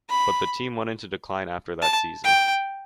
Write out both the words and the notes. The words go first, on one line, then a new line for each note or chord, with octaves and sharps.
But the team went into decline after that season.
B5
A5
G5